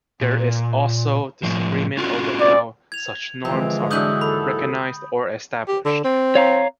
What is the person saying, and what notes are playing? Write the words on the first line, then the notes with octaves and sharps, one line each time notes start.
There is also disagreement over how such norms are recognized or established.
A#2
A2 F3
C#4 F4 F#4
D5
G#6 F7
D3 E3 F3 G#3 C4
C2 G#2 E3 F#3 D4 D#6 G6 F#7
D#2 F#4 A4 B5
G4
D3
C4
C#5 F5 A#5